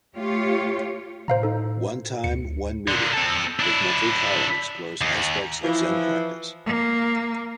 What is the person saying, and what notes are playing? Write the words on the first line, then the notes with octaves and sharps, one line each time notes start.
"One Time, One Meeting," his monthly column, explores aspects of Zen practice.
A3 F4 G4 C#5
A2 C5 F5 A#5
D#4 A4
D2 C#7
A#2 D3
C4 A4
D4 E4
D#2
E3 F3
A#3